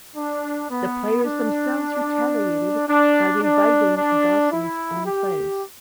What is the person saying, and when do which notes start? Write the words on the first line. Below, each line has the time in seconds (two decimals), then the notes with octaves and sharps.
The players themselves retaliated by reviving Gosson's own plays.
0.16 D4
0.70 B3
1.24 D4
2.88 D4
3.43 D4
3.97 D4
4.51 E4
5.05 G4